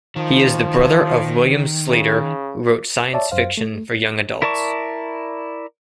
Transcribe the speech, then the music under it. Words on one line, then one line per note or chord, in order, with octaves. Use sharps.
He is the brother of William Sleator, who wrote science fiction for young adults.
D#3 F3
C#3
C#5 D5 E5 A5
F#2 C5 F5
A3
E4 A#4 D5 A5 C#6